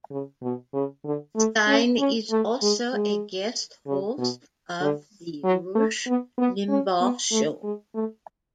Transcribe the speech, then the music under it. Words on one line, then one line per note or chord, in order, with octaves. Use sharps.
Steyn is also a guest host of "The Rush Limbaugh Show".
C#3
B2
C#3
D3
A3
C#4
C#4
A3
G#3
G#3
C#3
B2
D3
F#3
A3
B3
B3
C#4
B3
A3
G#3
A3